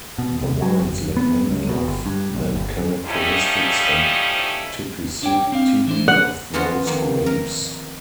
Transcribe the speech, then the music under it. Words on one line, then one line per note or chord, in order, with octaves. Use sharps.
The wines lack many of the characteristics and typicity of those grapes.
B2
C2
F#3
F#1
B3
C#2
B2
G1
G2
B1
G1
F#2
F3 G3 A3 C#4 D#4 E4
D4 C#5 G5
C4 D4 F5
E3 D4 C5
F#5
D3 E3 B3 F4 F#4
F2 D#3 A#3
A#4